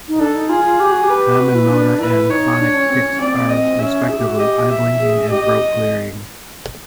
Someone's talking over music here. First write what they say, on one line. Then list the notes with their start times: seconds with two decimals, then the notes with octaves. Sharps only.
Common motor and phonic tics are, respectively, eye blinking and throat clearing.
0.08 D#4
0.20 D4 A4
0.35 D#4
0.49 F4 G#4
0.65 F4
0.80 G4
0.92 F#4
1.04 G4
1.10 B4
1.40 F#4
1.55 E4
1.70 D4
1.99 E4 B4
2.29 D#4 C#5
2.54 D#4
2.59 D4
2.75 C#4
2.89 C4
2.99 C#4
3.10 C#4
3.20 C4 D5
3.49 D#5
3.79 C#4 E5
4.09 G#4
4.18 G4
4.27 F#4
4.36 G4 D#5
4.70 E5
5.00 G#4
5.29 G4 D#5
5.44 G4